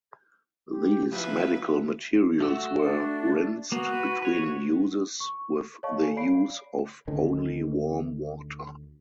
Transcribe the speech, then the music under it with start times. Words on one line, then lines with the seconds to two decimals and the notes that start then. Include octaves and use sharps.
These medical materials were rinsed between uses with the use of only warm water.
0.69 G4
1.12 F3 F#3 E4 B4 F5
2.40 A3 F#4 E6
2.81 D4
3.72 A#3 B3 F#4
3.93 B4
4.22 F#4 B4 C#5
5.20 C#6
5.83 C#5 D#5 F5 A5 C#6
6.01 A4 G#5
6.16 C#5 D5 F5 B5 C7 D7
7.07 D2 D3 D#3 C#4